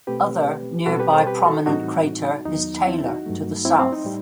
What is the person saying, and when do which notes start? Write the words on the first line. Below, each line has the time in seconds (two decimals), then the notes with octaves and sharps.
Other nearby prominent crater is Taylor to the south.
0.07 B2 A3 C4 G4 B4
0.86 B2 G3 C4 F#4 A4
1.00 G4 B4
1.13 A4 C5
1.27 G4 B4
1.46 F#4 A4
1.66 A2 E3 G3 C4 D#4 F#4
2.46 E2 D#3 F#3 B3 D#4
2.86 C4 E4
3.06 D#4 F#4
3.26 G2 F#3 A3
3.65 C4 E4
3.79 C4
3.93 D#4
4.05 A2 G3